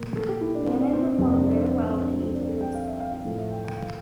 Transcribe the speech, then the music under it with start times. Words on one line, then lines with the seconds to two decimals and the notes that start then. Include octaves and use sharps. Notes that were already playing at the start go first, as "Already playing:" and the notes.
Manon performed very well in each of her disciplines.
Already playing: A#2 A3 A#4
0.16 A4
0.29 G4
0.41 E4
0.55 D4
0.67 C4
0.80 D4
0.93 C4
1.06 D4
1.18 F2 C3 G3 C4
1.32 D4
1.45 D4
1.57 C4
1.70 D4
1.83 C4
1.96 D4
2.09 D4
2.23 C4
2.35 D4
2.48 A4
2.61 G5
2.75 F5
2.87 E5
3.00 F5
3.13 F5
3.25 A2 F3 A3
3.38 E5
3.51 G5
3.65 G5
3.77 F5